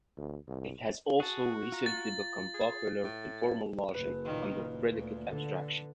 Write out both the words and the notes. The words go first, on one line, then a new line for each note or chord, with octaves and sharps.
It has also recently become popular in formal logic under predicate abstraction.
D2
C2
F#4 G#4 A5
F4 A#5
A6
G#4
A2
F#1 B4
A#2 D#3
A#2
D2
D3